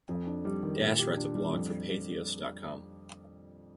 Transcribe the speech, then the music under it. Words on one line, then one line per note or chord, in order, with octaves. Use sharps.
Dash writes a blog for Patheos dot com.
F2
D4
G3
D#3
A#2
G4
D4
G3
F2